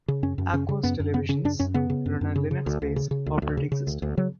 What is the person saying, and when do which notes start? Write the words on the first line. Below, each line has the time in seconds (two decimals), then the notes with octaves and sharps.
Aquos televisions run a Linux-based operating system.
0.08 C#3
0.23 F#2 C#4
0.38 F#2
0.53 C#3 C#4
0.69 C#3
0.83 F#2 B3
1.00 F#2
1.14 C#3 B3
1.29 C#3 C#4
1.45 F#2 D4
1.60 F#2 C#4
1.74 C#3 B3
1.90 C#3
2.06 F#2
2.21 F#2
2.36 C#3
2.51 C#3
2.66 D2
2.82 D2
2.96 C#3
3.11 C#3
3.26 D2
3.42 D2
3.57 C#3
3.72 C#3
3.87 D2
4.02 D2
4.17 C#3 F#3